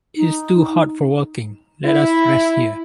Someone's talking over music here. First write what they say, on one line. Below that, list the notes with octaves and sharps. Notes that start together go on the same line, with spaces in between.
It is too hot for walking, let us rest here.
D#4
E4